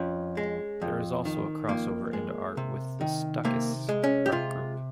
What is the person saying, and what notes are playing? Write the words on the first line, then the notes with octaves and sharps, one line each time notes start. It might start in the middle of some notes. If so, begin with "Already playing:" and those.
There is also a crossover into art with the Stuckists art group.
Already playing: F2 C#4
G#3
F2
D#3
F2 A#3
G#3
C3
D#3
C3 A#3
G#3
C#4
G4
C3 F4